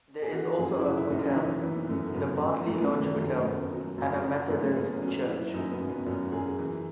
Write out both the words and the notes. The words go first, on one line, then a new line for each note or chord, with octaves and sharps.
There is also a hotel, The Bartley Lodge Hotel, and a Methodist church.
G#4
E3 F#4
F#2 G#4
E4
F#2 F#4
E4
F#2 D#4
C#4
E3 D#4
E3 B3
F#2 A3
F#2 B3
F#2
F#2 A3
B3
A3
D#3 B3
A3
F#2 A3
F#2 B3
F#3
F#2
F#3
F#2 B3
A3
F#2 B3
C#4
F#3 C#4
F#3 E4
F#2 D#4
B3
F#2
B3
F#2 C#4
F#2 G#4
E3